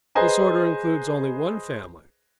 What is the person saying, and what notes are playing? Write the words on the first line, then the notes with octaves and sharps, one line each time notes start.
This order includes only one family.
G#4 B4 C5 D#5 G#5 A#5